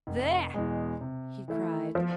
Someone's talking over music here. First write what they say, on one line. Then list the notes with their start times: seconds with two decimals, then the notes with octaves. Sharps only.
"There!" he cried.
0.07 F1
0.54 E2 B2 G#3
1.01 C3
1.48 E3 A3 E4
1.95 F3